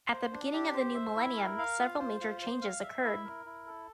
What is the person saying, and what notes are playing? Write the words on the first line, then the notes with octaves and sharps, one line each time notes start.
At the beginning of the new millennium, several major changes occurred.
C5
D4
G4
C5
E5
E4
A#4
F5
F4
C5
F4
C5
F5
E5
E4
A#4
E4
A4